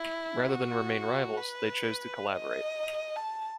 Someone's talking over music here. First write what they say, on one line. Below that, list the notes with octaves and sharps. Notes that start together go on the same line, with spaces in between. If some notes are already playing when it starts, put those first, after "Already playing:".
Rather than remain rivals, they chose to collaborate.
Already playing: E4
F#4
B4
D#5
A5